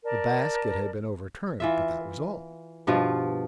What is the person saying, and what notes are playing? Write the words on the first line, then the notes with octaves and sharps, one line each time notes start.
The basket had been overturned, but that was all.
A#4 D5 A5
E3 F4 E5
G2 B2 F3 F4